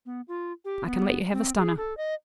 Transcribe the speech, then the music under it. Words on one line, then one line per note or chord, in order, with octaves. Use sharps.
I can let you have a stunner.'
B3
F4
G4
B3
C4
G#4
A4
D#5